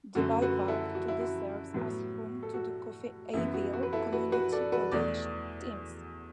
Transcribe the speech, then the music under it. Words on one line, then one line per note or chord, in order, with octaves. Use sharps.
The ballpark today serves as home to the Coffeyville Community College teams.
F#2 D3 A3 F#4
F#4 B4
E4 A4
F#4
E4
F#4
A2 F#3 B3
A4
F#4
F#2 E3 B3 E4
F#4
F#4
B4
E4 A4
F#4 B4
F#4 B4
A4 D5
F#4 B4
E2 E3 A3 D5